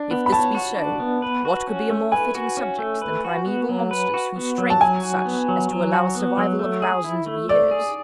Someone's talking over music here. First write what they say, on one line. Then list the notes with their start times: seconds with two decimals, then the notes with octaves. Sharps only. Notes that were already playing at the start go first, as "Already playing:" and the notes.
If this be so, what could be a more fitting subject than primeval monsters whose strength was such as to allow a survival of thousands of years?
Already playing: D4
0.11 B3
0.26 B5
0.32 C#5 A5
0.55 F#4
0.77 D4
1.00 B3
1.22 B4
1.45 F#4
1.67 C#4
1.90 A3
2.12 B4 G#5
2.35 F#4
2.57 C#4
2.79 A3
3.02 B4
3.24 F#4
3.46 B3
3.69 F#3
3.91 B4
4.14 F#4
4.36 B3
4.58 F#3
4.70 A5
4.81 F#3 G#5
5.03 F#4
5.25 B3
5.48 F#3
5.71 F#3
5.93 F#4
6.15 B3
6.38 F#3
6.59 A3
6.82 G#4
7.04 E4
7.26 A3
7.49 A3 D5
7.71 G#4